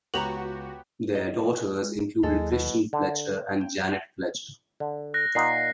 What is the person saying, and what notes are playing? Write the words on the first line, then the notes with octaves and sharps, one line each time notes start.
Their daughters included Christian Fletcher and Janet Fletcher.
C#2 B3 F#4 G4 C#5 A#5 F7 F#7
D#5
G#3
D#2 F#3 G#3 A#3 E4 A4
B2
D3
G5
D3
F#6 A#6
A#2 D#4 F#5 C7